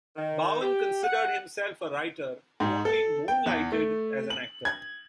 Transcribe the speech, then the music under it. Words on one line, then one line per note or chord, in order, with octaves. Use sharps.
Bowen considered himself a writer who only moonlighted as an actor.
D#3
G4
F#5
G#2
A4
G5
E2
A3
F#7
G#6